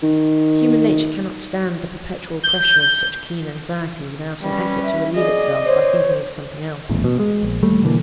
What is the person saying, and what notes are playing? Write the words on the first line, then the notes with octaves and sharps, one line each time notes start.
Human nature cannot stand the perpetual pressure of such keen anxiety, without an effort to relieve itself by thinking of something else.
D#3
G6
G3 C#4 B4
E5
C4 G#4 D5 D#5
C5 C#5
D#1 A1 E2
B2
G#3
A#1
D#2 G3 A3
B2 D3 E3 A#3